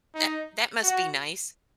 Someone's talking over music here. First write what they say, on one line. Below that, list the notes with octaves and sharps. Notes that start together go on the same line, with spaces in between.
That that must be nice.
D#4
F#4